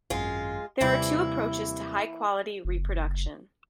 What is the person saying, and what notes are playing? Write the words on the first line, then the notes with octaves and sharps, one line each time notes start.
There are two approaches to high-quality reproduction.
G#1 F#2 G#3 F4
D#2 C3 E3 G3 A#3 E4
F#1